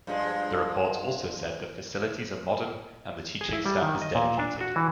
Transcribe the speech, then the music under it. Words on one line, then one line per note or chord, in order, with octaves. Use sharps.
The report also said the facilities are modern and the teaching staff is dedicated.
G2 F3 G#3
G#4
E4
G3
D#3
D#5
A#2
D4
F#4
E3